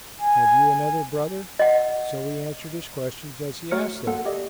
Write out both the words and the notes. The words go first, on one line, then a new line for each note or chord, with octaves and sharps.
Have you another brother?' So we answered his questions as he asked them.
G#5
D#5 F#5
A3 F#4 C#5 F6 C#7
A#3 A4 F#5
G4 D5 D#5